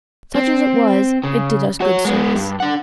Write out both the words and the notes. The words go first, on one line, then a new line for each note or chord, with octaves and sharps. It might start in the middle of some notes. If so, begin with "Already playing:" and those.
Such as it was, it did us good service.
C4
C#3
F#4 C#5
G#3 B3
G2
D4 F#5